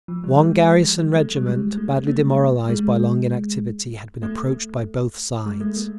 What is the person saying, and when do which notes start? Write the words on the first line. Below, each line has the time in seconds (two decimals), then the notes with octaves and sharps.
One garrison regiment, badly demoralised by long inactivity, had been approached by both sides.
0.08 F3
0.24 G3
0.39 G#3
1.16 A3
1.37 G3
1.46 G#3
1.77 A3
2.08 A#3
2.69 G#3
4.23 A3
5.46 G#3
5.61 A3
5.77 A#3